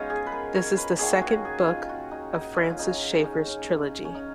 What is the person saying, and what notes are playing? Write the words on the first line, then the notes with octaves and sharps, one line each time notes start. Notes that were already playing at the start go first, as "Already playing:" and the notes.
This is the second book of Francis Schaeffer's Trilogy.
Already playing: B2 G#3 C#4 D#4 F4
G#4
B4
A#4
C#5
B4
D#3 A#3 C#4 G#4
F#4
G#4
D#4
F4
F#4
D#4
D#4
C#4
F4
C#3 F#3 C#4 D#4
D#4
C#4
C#4
D#4